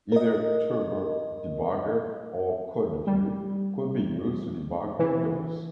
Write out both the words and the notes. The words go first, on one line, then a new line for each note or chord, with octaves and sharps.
Either Turbo Debugger or CodeView could be used to debug Windows.
A#4 D#5
G3
E3